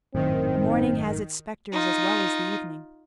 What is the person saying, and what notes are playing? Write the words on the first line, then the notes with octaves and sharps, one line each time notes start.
The morning has its spectres as well as the evening.
G#1 F#2 A2 D#3 C4
D#4 F4